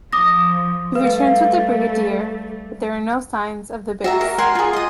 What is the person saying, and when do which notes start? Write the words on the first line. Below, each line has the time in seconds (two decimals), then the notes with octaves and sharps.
He returns with the Brigadier, but there are no signs of the base.
0.13 F3 D6 D#6 A#6
0.95 G3 A3 B4 F5
4.04 F#4 E5 A#5
4.21 A#4
4.38 A#4 F#5 G#5 C6
4.55 F4 G#4
4.73 D#5 D#6